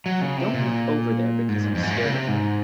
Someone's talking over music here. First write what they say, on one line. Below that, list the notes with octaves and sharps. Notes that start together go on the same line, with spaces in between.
I don't look over there because I'm scared of her.
F#3
C#3
C3
A#2
G#2
F2
F#2
G#2
A#2
C#3
C3
G#2